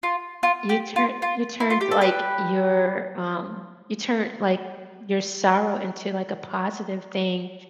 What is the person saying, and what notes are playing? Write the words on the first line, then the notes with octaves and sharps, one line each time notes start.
You turn you turned, like, your, um you turn, like, your sorrow into, like, a positive thing,
F4
F4
G4
F4
F4
E4
F4
G4
A4
G4 B4